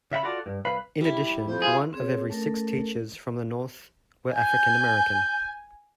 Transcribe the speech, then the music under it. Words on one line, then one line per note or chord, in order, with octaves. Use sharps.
In addition, one of every six teachers from the North were African American.
C#3 E5 F#5 B5
F4 F#4 A4 D5
G2
C2 B4 F5 B5
G3 E4
F2 C5
F4 G#4
C4 G#4 C#5
A3 C#4 A4 A#4
G#5 G6